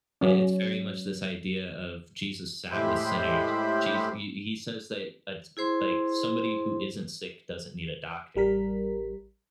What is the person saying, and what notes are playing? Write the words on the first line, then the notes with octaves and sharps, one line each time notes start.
i it's very much this idea of Jesus sat with sinners, Jes he he says that a d like, somebody who isn't sick doesn't need a doctor,
F#3 C#4
A2 G#3 G4 C5 E5 B5
E4 G#4 C5 C6
A1 G3 A#4 B6